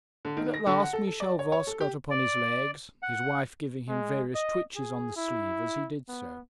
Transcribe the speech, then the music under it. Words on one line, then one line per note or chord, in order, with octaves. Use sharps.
But at last Michel Voss got upon his legs, his wife giving him various twitches on the sleeve as he did so.
D3
D#3
A#6
D3
F#5
A4
A4
D5
C#5
C#5
A4
G4
D5
F#5
G#3
D#5
G#4
E4
B3